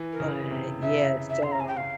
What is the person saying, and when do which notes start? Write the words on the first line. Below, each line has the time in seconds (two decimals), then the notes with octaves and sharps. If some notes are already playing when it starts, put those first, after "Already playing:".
But, yeah, so
Already playing: E3
0.12 A#4
0.20 C#3
0.51 C3
0.82 C#3 E5
1.30 E5
1.43 C6
1.52 A#5
1.60 G#5
1.68 G5
1.77 F5